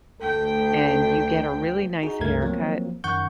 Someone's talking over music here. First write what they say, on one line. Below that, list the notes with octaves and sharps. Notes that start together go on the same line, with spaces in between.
and you get a really nice haircut,
D2 A4 G5
D#4 F#4 G#4
C#2 G2 A3 A#4 G#6
F3 F#3 A#3 C4
F#2 D#3 F#5 C#6 G6